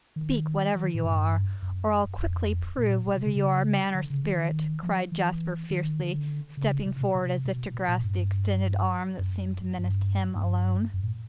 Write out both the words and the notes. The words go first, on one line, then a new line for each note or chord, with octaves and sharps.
"Speak, whatever you are, or I'll quickly prove whether you are man or spirit!" cried Jasper fiercely, stepping forward as if to grasp the extended arm that seemed to menace him alone.
D#3
E3
D#3
A2
G2
F#2
F2
A#2
B2
C3
C#3
C#3
D3
C#3
D#3
F3
E3
D#3
D3
C#3
C3
B2
C3
B2
B2
A#2
G2
F#2
G2
G2
F#2
A2